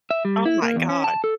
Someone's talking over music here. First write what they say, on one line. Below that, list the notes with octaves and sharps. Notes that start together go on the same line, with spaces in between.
oh my god.
E5
G3
E4
A#3
E2
C#4
A5
A4